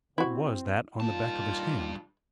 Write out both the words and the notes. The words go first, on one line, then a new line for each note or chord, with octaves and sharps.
What was that on the back of his hand?
C4 E4 F#4
G2 A#2 D#3 F4 A5